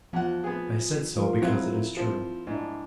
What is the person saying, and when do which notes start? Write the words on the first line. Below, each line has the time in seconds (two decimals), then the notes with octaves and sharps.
"I said so, because it is true."
0.13 E2 F3 F#5
0.44 B3 G#4
1.15 F3 A#3 F4
1.42 F#3 C4 E4 F5
1.97 F3 C4
2.47 G#2 D4 E4